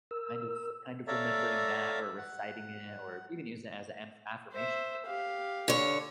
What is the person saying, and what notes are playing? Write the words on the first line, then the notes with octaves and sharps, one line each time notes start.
kind of kind of remembering that or reciting it or even use it as a an-affirmation.
A#4 E6
A4 C#5 D5 E5 F5 A#5
F#5
C5 E5
G4 F5
D3 C#5